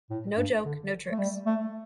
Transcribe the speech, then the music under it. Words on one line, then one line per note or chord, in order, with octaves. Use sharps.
No Joke, No Tricks.
A2
G2
D3
A3
G3
A3